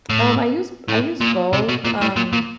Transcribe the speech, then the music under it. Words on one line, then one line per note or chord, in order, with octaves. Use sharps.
Um, I use b I use both, um,
A2
A2
A#2
C3
B2
A#2
A2
A#2
A#2